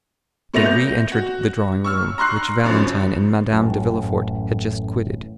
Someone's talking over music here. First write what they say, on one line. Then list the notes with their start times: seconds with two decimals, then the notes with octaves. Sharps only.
They re-entered the drawing-room, which Valentine and Madame de Villefort had just quitted.
0.54 A#2 A3 B3 A#6 F7
0.66 G6
1.12 F#4
1.84 C#6 E6 F6
2.18 A#5 C6 C#6 F#6 C7
2.64 G1 F#2 C#3 F3
3.52 A1 F#2 A2